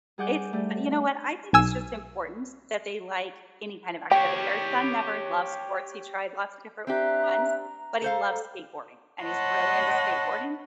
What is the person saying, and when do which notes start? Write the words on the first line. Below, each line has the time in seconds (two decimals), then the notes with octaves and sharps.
It's you know what? I think it's just important that they like any kind of activity. Our son never loves sports, he tried lots of different ones, but he loves skateboarding, and he's really into skateboarding.
0.18 G3 G#4 F#5 D6 G6
0.53 G3 A3
1.53 B1 G#5 E6
4.11 G4 C#5 G5
6.87 C4 D4 G4 E5 A#5 F#6
7.61 A#5
8.02 A4 C5 F5
9.23 C#5 D#5 F#5 A5 B5 C6